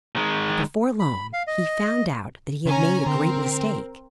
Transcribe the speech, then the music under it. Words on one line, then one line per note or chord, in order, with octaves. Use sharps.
But before long he found out that he had made a great mistake.
D#3 G#3
B5
F5
D#5
C#3 C#4 G#5 A#5
D3 C4 A#4